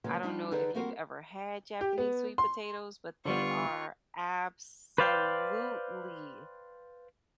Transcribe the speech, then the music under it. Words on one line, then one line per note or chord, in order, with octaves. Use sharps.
I don't know if you've ever had Japanese sweet potatoes, but they are absolutely
C#3 F3 F#3 G#3 A#3 B3
G3 D4 D#4 F4 F#4
D3 D#4 G#4 B4 D5
G3 A#3 C4 F#4 A#4 C5
G4
B3
C6
D3 G3 B3 F4 C#6
B4 C5 D5 F5 G5